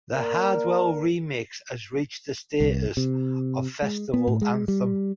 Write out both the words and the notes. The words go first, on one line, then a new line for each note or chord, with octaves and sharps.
The Hardwell remix has reached the status of festival anthem.
A#3 A#4 D5
C2
C3
G#3
B3
A2
G#3
G3